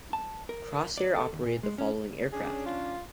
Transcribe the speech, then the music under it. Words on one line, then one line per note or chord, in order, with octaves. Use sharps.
Crossair operated the following aircraft.
A5
A#4
D5
A4
D#2
A#2
G#3
C#4
C#4 D4 G#4
F4